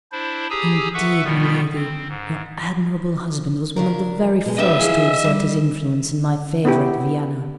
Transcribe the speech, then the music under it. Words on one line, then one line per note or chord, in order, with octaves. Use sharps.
'Indeed, miladi, your admirable husband was one of the very first to exert his influence in my favour at Vienna.
D4 E4 C5
G4 G#4 G#5 A#5 D#6 E6
A4 B4 E5 F#5 C#6
B2 D#3 G3 B3 F4
C4
G#2
C#3 D4 A#4
B2 G#3
D4 G4 B4 D#5 E5
F3 E4 G#4
G3
B3 E4 G4